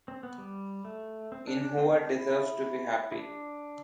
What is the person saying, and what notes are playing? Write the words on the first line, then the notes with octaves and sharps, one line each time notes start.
Ainhoa deserves to be happy.
C4
B3
G3
A3
C4
D4
D4
C4
D4
E4
E4
D4